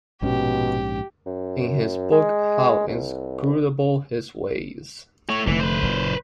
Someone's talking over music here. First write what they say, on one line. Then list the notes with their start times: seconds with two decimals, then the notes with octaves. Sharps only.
In his book How Inscrutable His Ways!
0.22 A#1 G#2 B2 C#4 G4
1.26 F#2
2.12 G#3
2.88 C2
5.30 A3 C#5
5.47 F1 D3 E3 A3
5.60 B4 C5
5.82 F#1 A#2